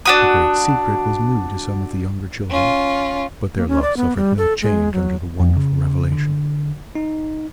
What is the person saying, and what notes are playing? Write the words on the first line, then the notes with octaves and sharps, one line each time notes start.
The great secret was new to some of the younger children, but their love suffered no change under the wonderful revelation.
D4 F#4 D#6
C#4 F4
A#3
C#4
D5
B3
G3
A4
G#3
F#3
F2
C#3
D3
D#4